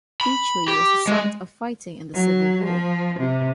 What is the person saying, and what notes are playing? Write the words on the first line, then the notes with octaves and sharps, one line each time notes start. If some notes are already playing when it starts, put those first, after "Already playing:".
Beachley was the site of fighting in the Civil War.
B5
G4
G#3
F#3
F3
C3